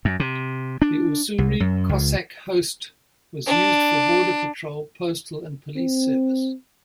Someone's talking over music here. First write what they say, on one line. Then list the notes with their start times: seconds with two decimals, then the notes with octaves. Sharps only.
The Ussuri Cossack Host was used for border patrol, postal and police service.
0.05 F#2
0.20 C3
0.82 D4
1.38 C2
1.60 F#2
1.89 C#2
3.47 D4
5.76 C4